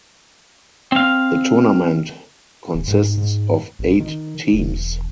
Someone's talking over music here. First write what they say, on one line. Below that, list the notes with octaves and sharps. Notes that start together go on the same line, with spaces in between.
The tournament consists of eight teams.
C4 F5
D1
G#2
G#2
A1
D#3
E1